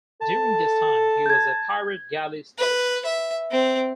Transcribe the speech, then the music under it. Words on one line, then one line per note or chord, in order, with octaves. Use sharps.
During this time he was a pirate galley slave.
A4 A5
G6 G#6
B4
E5
C4